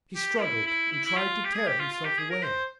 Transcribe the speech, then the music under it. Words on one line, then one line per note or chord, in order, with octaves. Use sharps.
He struggled, and tried to tear himself away.
G4
E4
E4
E4
E4
F4
G4
G#4
G4
F4
F4
G4
G#4
A#4
C5